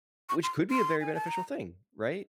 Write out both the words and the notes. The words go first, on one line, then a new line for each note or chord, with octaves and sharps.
which could be a very beneficial thing, right?
C#6
C6
C6
G#5
A5
A#5